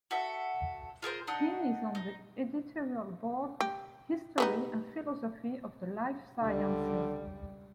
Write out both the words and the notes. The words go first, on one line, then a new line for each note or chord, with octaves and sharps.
He is on the editorial board of "History and Philosophy of the Life Sciences".
F#4 A4 E5
F4 G#4 A#4 C5
D4 D#4 D#5 F#5
D#4
G4
G3 B3 D#4
C#2 D3 G3